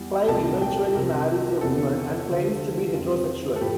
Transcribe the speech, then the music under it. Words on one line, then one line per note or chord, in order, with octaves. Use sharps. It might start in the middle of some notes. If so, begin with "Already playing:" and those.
Clive eventually marries a woman and claims to be heterosexual.
Already playing: E2 E3 G3
C2 A#2 F3 A5
G5
C2 C3 F3 A#4
E2 C3 E3 A4
D2 D3 F3
F2 E3 G3 F4
A4
A2 F3 G4